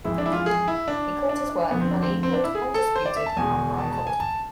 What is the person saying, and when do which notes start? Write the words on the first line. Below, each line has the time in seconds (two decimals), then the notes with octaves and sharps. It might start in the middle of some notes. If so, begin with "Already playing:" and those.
He called his work unequaled, undisputed, unrivaled.
0.04 F2 E3 G#3 E4
0.18 D4
0.26 E4
0.33 F4
0.46 G#4
0.68 E4
0.88 D4
1.29 D4
1.50 D4
1.71 F2 D3 F3 B3
1.81 C4
1.91 D4
2.03 C4
2.23 C4
2.33 D4
2.44 E4
2.55 G#4
2.74 A4
2.95 C5
3.06 D5
3.16 E5
3.26 A5
3.37 E2 B2 G#3 G#5
3.78 A5
3.92 A5
4.07 G#5
4.20 A5